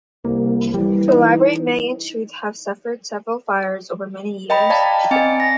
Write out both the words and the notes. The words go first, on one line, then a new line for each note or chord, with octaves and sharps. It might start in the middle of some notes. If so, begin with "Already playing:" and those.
The library may in truth have suffered several fires over many years.
C2 A#3
E3 G3
D#4
D#5 G5 A#5 B5
D5 F5 G5 A5 A#5
C4 D#5 G#5 C#7
A#6